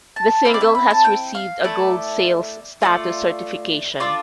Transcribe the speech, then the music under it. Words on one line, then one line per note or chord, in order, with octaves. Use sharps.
The single has received a Gold sales status certification.
A5
C4 E4 A4 F5
D5
E5
B5
A5
G5
F5
A3 E4 A4 D5
A3 C4 F4 D5
D4 F4 A4 D5